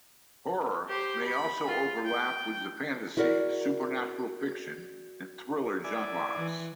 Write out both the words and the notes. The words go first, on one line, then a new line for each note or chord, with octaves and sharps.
Horror may also overlap with the fantasy, supernatural fiction and thriller genres.
G4 C5
B5
F4
G5
E4 F#4 G#4 A#4 D5
E4 D5 G#5
E3